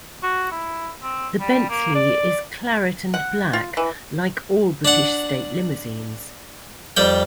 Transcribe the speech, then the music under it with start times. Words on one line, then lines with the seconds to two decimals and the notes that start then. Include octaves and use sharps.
The Bentley is claret and black like all the British state limousines.
0.23 F#4
0.51 E4
1.02 C4
1.40 G3
1.69 A#3
1.95 D5
3.14 F#5
3.53 F4
3.77 E3
4.85 D4 F#5
6.97 F2 G3 G5